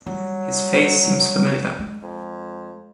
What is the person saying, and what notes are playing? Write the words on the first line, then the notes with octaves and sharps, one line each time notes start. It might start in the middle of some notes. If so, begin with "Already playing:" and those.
His face seems familiar.
F#3 G3
G#3
F2